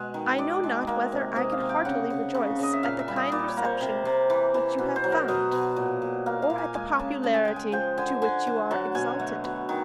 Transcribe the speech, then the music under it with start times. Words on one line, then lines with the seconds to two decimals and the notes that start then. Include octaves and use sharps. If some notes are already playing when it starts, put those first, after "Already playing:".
'I know not whether I can heartily rejoice at the kind reception which you have found, or at the popularity to which you are exalted.
Already playing: B2 G#3
0.14 D#3
0.38 G#3 D5
0.63 G#3
0.87 A#3
1.12 C3
1.36 C3 D#5
1.52 F5
1.60 C3
1.69 G5
1.85 C#3 F#5
2.10 C#3
2.34 C#3
2.59 C#3 D#5
2.73 E5
2.83 A#2 F5
2.99 E5
3.08 G3
3.16 D#5
3.32 A#2 D5
3.48 C#5
3.57 A#3
3.65 C5
3.81 C3
4.05 C3
4.30 E3
4.54 E3
4.78 B2
4.96 C5
5.04 F#3
5.12 A#4
5.28 B2 D#5
5.52 B2
5.76 A#2
6.02 A#2
6.26 A#3 F5
6.42 F5
6.50 A#2
6.58 G#5
6.75 G#3 G#5
6.99 C#3 A5
7.23 C#3 A5
7.34 G#5
7.45 G#3 G5
7.56 G#5
7.72 F3 G5
7.98 D3 G#5
8.22 D3 G#5
8.47 D3
8.71 F#3 A5
8.95 B2 G#5
9.20 A3
9.44 B2
9.69 D#3